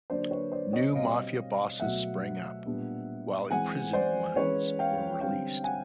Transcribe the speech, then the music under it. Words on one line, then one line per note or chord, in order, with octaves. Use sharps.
New Mafia bosses sprang up, while imprisoned ones were released.
D3 F#3 A#3 D4 C5 D5
B4 C#5
C5 D5
C#5 D#5
B2 G3 C4 D#5 F5
B2 F#3 A3 E5 F#5
A#2 G3 B3 D4
E3 G#3 C4 F#5 G#5
C5 D5
E3 G#3 C#4 B4 C#5
F5 G5
D3 G3 C4 F5 G5
F#5 G#5